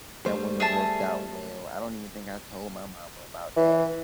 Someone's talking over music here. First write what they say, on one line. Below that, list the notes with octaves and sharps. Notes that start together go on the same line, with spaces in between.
that wouldn't have worked out well. I don't even think I told my mama about that,
G3 A3 C5
G#4 E5 A5
E3